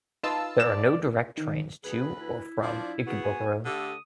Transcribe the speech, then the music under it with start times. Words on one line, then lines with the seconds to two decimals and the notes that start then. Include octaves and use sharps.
There are no direct trains to or from Ikebukuro.
0.23 D#4 F4 B4 D#5 A5 E6
0.60 D5 E7
1.38 D#3
1.84 D2 G#4 B4
2.20 E4
2.62 F3 D4
3.06 B3 F#4 G#4
3.24 G#5
3.65 D3 A3 G4 D#6